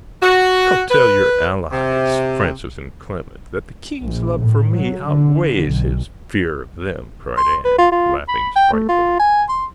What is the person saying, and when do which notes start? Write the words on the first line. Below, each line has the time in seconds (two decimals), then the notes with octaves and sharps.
"Go, tell your allies, Francis and Clement, that the king's love for me outweighs his fear of them," cried Anne, laughing spitefully.
0.23 F#4
0.91 B4
1.73 C3
4.02 A#1
4.38 A2
4.75 F#3
5.05 D3
5.64 B1
7.37 C6
7.65 B4
7.78 F4
7.92 F4
8.28 B5
8.56 G5
8.72 A3
8.89 F4
9.20 G#5
9.49 C6